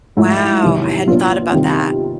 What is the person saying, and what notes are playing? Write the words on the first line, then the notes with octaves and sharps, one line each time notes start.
Wow, I hadn't thought about that.
G#2 F3 A3 E4
E2 C3 D#3 F#3
A#2 F#3 B3 D4 F4
C3 D#3 G3 C4